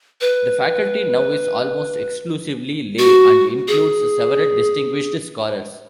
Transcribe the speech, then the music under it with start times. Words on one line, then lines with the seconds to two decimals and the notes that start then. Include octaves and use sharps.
The faculty now is almost exclusively lay and includes several distinguished scholars.
0.21 B4
2.98 F#4
3.68 G#4